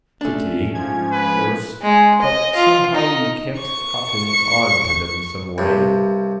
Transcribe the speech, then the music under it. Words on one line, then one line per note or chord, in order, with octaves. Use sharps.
Pity, of course: but somehow you can't cotton on to them someway.
A3 C#4 D4
G#2 F3 G#6
B4
G#3
D#5
F4
D#4
C#6 C#7
C2 G2